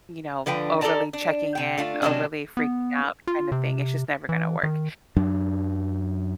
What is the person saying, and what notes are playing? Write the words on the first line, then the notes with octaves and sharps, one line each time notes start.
you know, overly checking in, overly freaking out kind of thing, it's just never gonna work.
D3 F3 B4 G5
G4 A4 B4 D5 A5 A#5
D4
C3 G5
A3 D4 F4
C3 F#3 G#3 C#4 D4
B3
F4
C3
E3
D#3
F#2 F#3 D4